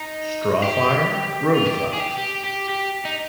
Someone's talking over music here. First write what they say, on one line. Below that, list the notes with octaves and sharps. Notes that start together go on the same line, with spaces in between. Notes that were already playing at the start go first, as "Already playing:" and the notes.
Straw fire, rogue fire.
Already playing: D#4
G4
F4
G4
G#4
G4
G4
G4
G4
D#4